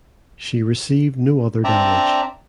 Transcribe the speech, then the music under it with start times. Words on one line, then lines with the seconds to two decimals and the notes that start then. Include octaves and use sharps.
She received no other damage.
1.64 C4 D4 D5 E5 A#5